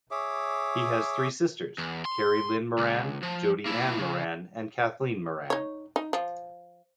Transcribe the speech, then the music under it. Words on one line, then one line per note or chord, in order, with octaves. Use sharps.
He has three sisters, Kari Lynn Moran, Jodi Anne Moran and Kathleen Moran.
G#4 C#5 E5 D6
E2
C6
C#2
F3
A#3 E4
C#3
D#4 C#5
D#4
F3